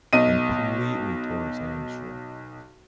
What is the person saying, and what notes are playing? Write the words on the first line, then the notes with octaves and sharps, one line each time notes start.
completely tore his hamstring.
B1 D#5 D#7